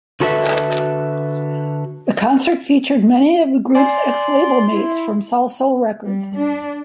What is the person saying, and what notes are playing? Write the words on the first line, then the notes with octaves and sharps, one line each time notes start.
The concert featured many of the group's ex-label mates from Salsoul records.
D3 F#4 A4 B4 D#5 E5
D5 G#5 C6
E4
G3
D4